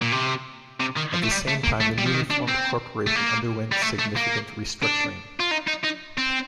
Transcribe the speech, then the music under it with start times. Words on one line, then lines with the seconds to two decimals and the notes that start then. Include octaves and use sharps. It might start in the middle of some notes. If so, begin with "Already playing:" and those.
At the same time, the newly formed Corporation underwent significant restructuring.
0.02 A#2
0.12 C3
0.80 C3
0.96 D#3
1.13 F3
1.23 A3
1.31 G3
1.48 A3
1.64 A#3
1.80 A3
1.98 G3
2.06 F3
2.14 D#3
2.31 D4
2.49 C4
3.07 A3
3.16 A#3
3.72 G3
3.82 A3
3.99 A3
4.16 A#3
4.83 D4
5.40 F4
5.51 D#4
5.67 D#4
5.84 D#4
6.18 C4